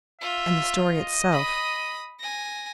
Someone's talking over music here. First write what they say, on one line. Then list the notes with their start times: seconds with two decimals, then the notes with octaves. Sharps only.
And the story itself.
0.21 F4 E5
0.91 D#5
1.31 B5 D#6
2.20 G#5 A#6